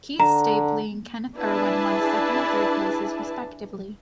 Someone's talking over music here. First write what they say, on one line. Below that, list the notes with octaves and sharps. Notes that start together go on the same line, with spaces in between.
Keith Stapley and Kenneth Erwin won second and third places, respectively.
D3 A#5
D4 E4 G#4 B4 A5